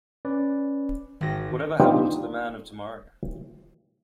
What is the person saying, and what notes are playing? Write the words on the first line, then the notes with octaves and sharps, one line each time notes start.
Whatever Happened to the Man of Tomorrow?
C#4 B4 D5
G#1 D#3 F#4 A#6
B3 C4 D4 D#4 F4 G4